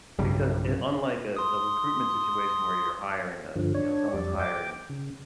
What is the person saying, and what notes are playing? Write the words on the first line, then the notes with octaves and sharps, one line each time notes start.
Because i unlike a a recruitment situation where you're hiring a you know, someone's hiring
B1 G2 C#3 G3
C6 D#6
G2 D3 F3
D4 C#5
F2 G3 D5
G5 D6
C#3